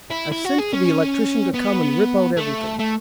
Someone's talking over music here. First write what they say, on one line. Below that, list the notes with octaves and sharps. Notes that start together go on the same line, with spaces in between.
I've sent for the electrician to come and rip out everything.
E4
E4
F#4
G#4
C#4
B3
A3
A3